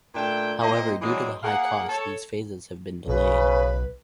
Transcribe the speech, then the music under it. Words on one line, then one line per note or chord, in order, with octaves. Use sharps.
However, due to the high cost, these phases have been delayed.
A#2 A3 D4 G5
A#2 A#3 C4 C5 D#5
E3 F#3 G#3 A#3 C4 D4
A#3 G#4 F5 F#5
A4 C#5
B1 C#3 B4